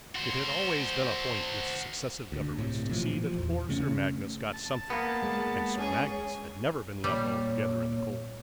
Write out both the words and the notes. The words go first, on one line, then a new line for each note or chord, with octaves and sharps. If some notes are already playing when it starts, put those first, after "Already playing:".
It had always been a point with successive governments to see that poor Sir Magnus got something, and Sir Magnus had never been left altogether in the cold.
F#4 C5
D2
A2 C3
A#2 E3 F3
F3
E2
C#3 A3 C#4
A5
A#3 B3
G#3
C#4 G#4
A#2 G3 C#5